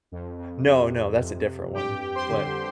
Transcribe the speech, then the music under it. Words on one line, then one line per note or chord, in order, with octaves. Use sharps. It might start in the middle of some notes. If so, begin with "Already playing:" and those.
No, no, that's a different one, but
F2
F2
C3
C3
F2
F2
G2 G4 G5
G2
C5 C6
D3